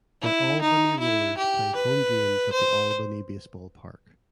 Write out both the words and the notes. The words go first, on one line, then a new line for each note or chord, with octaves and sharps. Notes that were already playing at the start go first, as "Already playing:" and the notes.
The Albany Rollers played home games at the Albany Base Ball Park.
E4
D#4
E4
G4
B4
C5